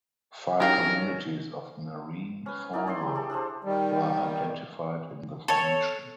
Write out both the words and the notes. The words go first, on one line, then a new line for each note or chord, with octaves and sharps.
Five communities of marine fauna were identified in the formation.
F#3 C#4 D#4 E4 G4 A#4 F5
C#4 B4
C#4 D#4 E4 D5
C#5 D5 E5 C6
G4 G#4
G4 A4
D4 G#4 A4 C5
D#3 G3
A4 C#5